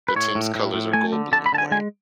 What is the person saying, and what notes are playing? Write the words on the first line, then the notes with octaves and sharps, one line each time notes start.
The team's colors are gold, blue and white.
B4
A2 C#5
A2
A2
A2
A3 G#5
D3
D3 A5
B5
D3 A5
G#5
G#3 G#5